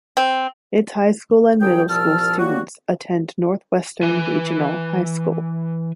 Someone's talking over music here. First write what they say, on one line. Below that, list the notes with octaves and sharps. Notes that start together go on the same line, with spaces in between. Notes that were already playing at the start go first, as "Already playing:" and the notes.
Its high school and middle school students attend Northwestern Regional High School.
C4
C2 D3 F#3 G#4 G5
C2 A#2 F3 A5 E6 F6
F#3 G3 A#3 F#4
E3 B4 G#5